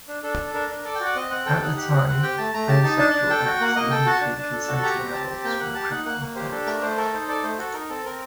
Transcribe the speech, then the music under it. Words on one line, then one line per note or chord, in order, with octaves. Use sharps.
At the time, homosexual acts, even between consenting adults, were a criminal offense.
D4
D4 A4
A4
D4 A#4
D4
A4 D5
G5
F#4
F#5
C4 D#5
C4 F#5
A4 G5
D#4 F#5
G4 F#5
C4 F#5
C4 F#5
G4 G5
A3 A5
A3 A#5
G4 A5
D#4 A5
D4 A5
D4
A4 G5
F#4
A#3 F#5
A#3 D#5
A4 G5
F#4 A5
D4
D4
A4
F#4
G4 A#5
C4
C4 A5
G4
A#3 G5
A#3 F#5
G4 A5
D#4 F#5
A#3 F#5
A#3
G4 C5
D4 A4
A3 A#4
A3 C5
A4 A#4
D#4 C5
A4 D5
A3 C5
F#4 A4
D#4 A#4
C4 A4
C4 A#4